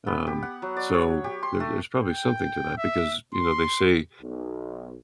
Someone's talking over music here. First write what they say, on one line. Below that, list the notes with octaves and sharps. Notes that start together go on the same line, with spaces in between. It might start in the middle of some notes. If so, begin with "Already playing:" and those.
Um, so there there's probably something to that because, you know, they say,
B3
G4
F#5
F#3
D5
C#5
G4
C6
A3
G5
E5
C6
B1